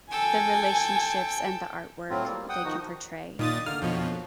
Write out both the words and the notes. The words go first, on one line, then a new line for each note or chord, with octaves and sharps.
the relationships and the artwork they can portray,
A4 G5 G#5
A2 F#3 C4 F4
G3 A#3
F#5 G5 D#6
D#3 F3 D#4 F#4
A#2 D#3 C4 D#6 A6
D3 A#3 F6
F2 B2 F3 C#5 G5